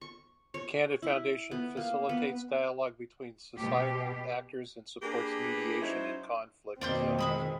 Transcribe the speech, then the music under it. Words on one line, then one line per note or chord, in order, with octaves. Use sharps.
The Candid Foundation facilitates dialogue between societal actors and supports mediation in conflict zones.
C#6
C#5
E4
B3
A#3
B3
B2 G4
A#3 D4 G4 G#4 B4
F#3 C#4 D#4 E4 C5 C#5
F2 B2 D#3 A#3 C4 D5 C6 G6
G#3 E5 B5 D#6